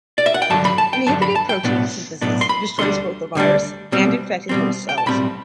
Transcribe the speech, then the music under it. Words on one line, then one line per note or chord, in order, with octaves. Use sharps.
Inhibited protein synthesis destroys both the virus and infected host cells.
D5
E5
F#5
G5
G2 D3 F#3 A5
B5
A5
G5
G2 D3 F#3 A5
B5
A5
G5
B1 A2 F#3 B3 D4
B1 A2 F#3 B3 D4
C6
B5
D2 D3 G3 D4 C6
D2 D3 G3 D4
B2 G3 C4
B2 G3 C4
G5
A5
B1 A2 G3 C4 B5